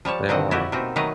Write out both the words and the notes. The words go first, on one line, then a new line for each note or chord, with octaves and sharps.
They are.
F3 G3 C#5 A5
A#2 D3 D#3 C4 D#5 F#5
E4 F#4 G4 D#5
B2 A#3 C4 D#4
D#3 F#3 A3 B4 D#5 A#5